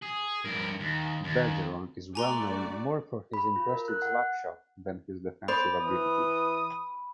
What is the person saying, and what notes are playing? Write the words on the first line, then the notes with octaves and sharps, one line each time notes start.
Bergeron is well known more for his impressive slapshot than his defensive abilities.
G#4
G2 A#4
D#2
D#2
A3 F#4 D5 G#5 A#5 C6
B5
F4
A#4
F#6
F#5
C5 D5 B5
E3 D#6